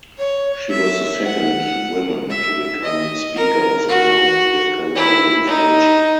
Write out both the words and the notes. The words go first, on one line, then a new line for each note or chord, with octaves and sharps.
She was the second woman to become speaker of the North Dakota legislature.
C#5
E5
F#5
E5
D#5
A#4
F#4
E4
D#4